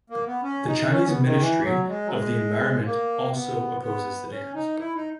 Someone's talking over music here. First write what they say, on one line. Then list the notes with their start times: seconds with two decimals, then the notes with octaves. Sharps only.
The Chinese Ministry of the Environment also opposes the dams.
0.10 A#3
0.26 B3
0.43 C#4
0.67 D#4
0.91 C#4
1.07 B3
1.24 D#3
1.39 E3
1.64 F#3
1.88 G#3
2.05 F#3
2.12 G#3
2.85 A#3
3.33 B3
3.82 B3
4.31 C#4
4.55 D#4
4.79 E4
4.95 D#4